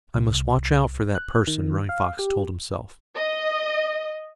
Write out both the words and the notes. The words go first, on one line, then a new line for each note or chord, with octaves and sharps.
"I must watch out for that person," Running Fox told himself.
C2
F#6
D#3
F5
G4
D#5